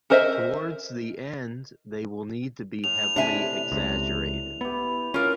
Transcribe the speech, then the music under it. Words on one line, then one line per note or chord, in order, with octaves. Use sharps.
Towards the end, they will need to be heavily exaggerated.
A4 A#4 C5 D#5 E5
A2 F7
C3 D4 E5 G#5
C#2 C3
B3 E4 G4
A#3 C#4 F4 A#4